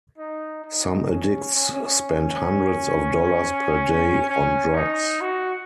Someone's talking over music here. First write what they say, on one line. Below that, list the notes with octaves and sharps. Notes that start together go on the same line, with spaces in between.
Some addicts spend hundreds of dollars per day on drugs.
D#4
D#4
C#4
C#4
C#4
C#4
C#4
D#4
F#4